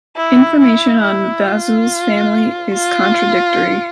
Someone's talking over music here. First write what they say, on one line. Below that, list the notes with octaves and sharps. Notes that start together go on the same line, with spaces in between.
Information on Vazul's family is contradictory.
E4
E4
E4
F4
F4